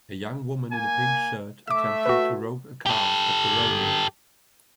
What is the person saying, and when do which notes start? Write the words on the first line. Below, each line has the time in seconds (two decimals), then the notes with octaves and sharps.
A young woman in a pink shirt attempting to rope a calf at the rodeo.
0.72 A#3 G#5
1.67 A3 E5 D6 E6
2.06 F#4 B4
2.86 G4 A4